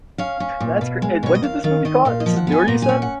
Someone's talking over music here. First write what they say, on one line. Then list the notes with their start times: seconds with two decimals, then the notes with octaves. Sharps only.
that's cr and when did this movie come out? This is newer you said?
0.18 C#4 F5
0.40 C#4
0.60 A#2
0.81 B2
1.02 G#3
1.23 B2 C#5
1.35 D#5
1.43 D#2 F5
1.64 D#3 F5
1.85 D#3 D#5
2.05 A#2 F5
2.20 D#5
2.26 F3
2.36 F#5
2.47 B3
2.52 G#5
2.68 A#2 A#5
2.82 G#5
2.89 C#4
3.02 F#5